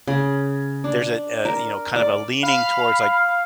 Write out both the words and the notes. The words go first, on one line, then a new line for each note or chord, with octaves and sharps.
there's a a, you know, kind of a leaning towards, like
C#3
D4
A#4
D5
F5 B5